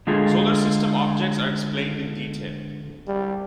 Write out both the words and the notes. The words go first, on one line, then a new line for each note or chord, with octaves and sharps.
Solar system objects are explained in detail.
D3 G#3 A3 F4 G#4
G3